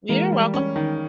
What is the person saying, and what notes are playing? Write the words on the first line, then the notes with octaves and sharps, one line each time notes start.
You're welcome.
E3 G#3 A#3
G3
C#4
D#3